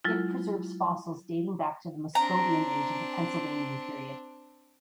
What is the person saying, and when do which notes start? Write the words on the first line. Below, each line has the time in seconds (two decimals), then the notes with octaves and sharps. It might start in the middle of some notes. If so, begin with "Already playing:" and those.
It preserves fossils dating back to the Moscovian Age of the Pennsylvanian Period.
0.05 F#3 G#3 E4 F4
2.15 C4 D4 A#5